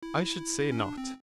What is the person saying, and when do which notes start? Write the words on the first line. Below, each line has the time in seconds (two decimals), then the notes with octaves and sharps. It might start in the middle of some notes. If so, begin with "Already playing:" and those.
I should say not.
0.03 E4
0.72 C#4
0.78 D4
0.98 C4